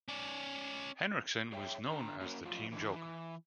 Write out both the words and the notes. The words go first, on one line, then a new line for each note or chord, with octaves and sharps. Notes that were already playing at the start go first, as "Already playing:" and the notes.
Henriksen was known as the team joker.
C#4 D5
G#4 C#5 E5 G5
D3 A#5
A#3 C#4 F#4 A#4
F#2 A2 F3 F4
D3 E3
E3